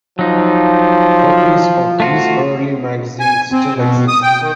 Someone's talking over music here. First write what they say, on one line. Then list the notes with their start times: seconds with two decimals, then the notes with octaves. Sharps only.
Copies of these early magazine still exists.
0.19 F3 F#3 D#4
2.00 A3 F4 F#4
3.20 G#5
3.52 C4
3.76 B2
4.08 D#6
4.23 G5
4.41 D#3